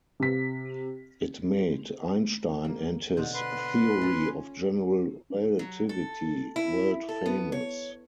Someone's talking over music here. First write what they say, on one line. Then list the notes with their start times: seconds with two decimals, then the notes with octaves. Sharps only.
It made Einstein and his theory of general relativity world-famous.
0.20 C3 B6
2.65 A#3
3.17 B2 D3 C5
3.34 B4 C6
4.01 C#4 F4
5.59 F#3
5.89 A4
6.56 E4
7.09 A4
7.26 B3
7.52 C#5